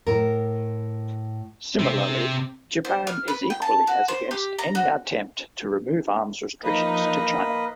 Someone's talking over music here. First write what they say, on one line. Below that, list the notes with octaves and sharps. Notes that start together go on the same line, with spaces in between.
Similarly, Japan is equally as against any attempt to remove arms restrictions to China.
A2 A#4
C3 C4
C5
F6
B4
G5
A5
F#4
C5
G4
A#5
F#4
F3 A#3 D#4 B4 D#5